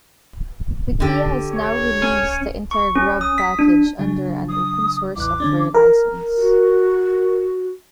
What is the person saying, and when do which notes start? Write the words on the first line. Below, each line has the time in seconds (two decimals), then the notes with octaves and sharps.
Wikia has now released the entire Grub package under an open source software license.
1.00 D3 G4
1.54 C#5
2.02 C#4
2.71 C#6
2.95 C#4
3.21 D#6
3.38 B6
3.59 D4
3.99 C#3 F#3 D4
4.49 D#6
5.16 A1 E2 D6 F#6
5.40 D3 C#4 D4
5.75 A#4
6.38 F#4